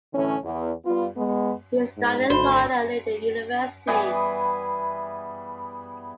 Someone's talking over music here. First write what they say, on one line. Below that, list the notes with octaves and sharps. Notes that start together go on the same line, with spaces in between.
He studied law at Leiden University.
A2 D3 E3 C#4
E2
G3 B3 F4
G#3 B3
G#2
G#1 D2 F#4 C5 D#5 B5
E3 G3 B3 G#4